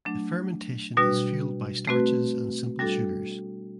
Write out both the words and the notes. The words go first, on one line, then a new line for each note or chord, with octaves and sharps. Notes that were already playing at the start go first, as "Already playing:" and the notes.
The fermentation is fueled by starches and simple sugars.
F#3 A3 D4
B2 G3 D4 F#4 B4
A3 C4 F#4 B4
G3 D4 F#4 A4